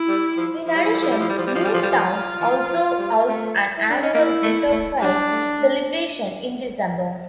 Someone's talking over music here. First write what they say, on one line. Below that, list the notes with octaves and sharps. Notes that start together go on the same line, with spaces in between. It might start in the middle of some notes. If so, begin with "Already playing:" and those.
In addition Newtown also holds an annual Winterfest celebration in December.
Already playing: E4
G3
F3
F3 E4
G3
F3
G3
F3
G3
F3
G3
F3
G3
F3 F4
G3
F3
G3
F3
E3
F3
G3
A3
E4
D4
C#4
A#3 E4
A3
A3
G3 D4
A3
A3